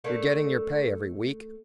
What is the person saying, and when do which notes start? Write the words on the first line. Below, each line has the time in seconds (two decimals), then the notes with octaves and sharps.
You're getting your pay every week.
0.04 A3 A#3 D4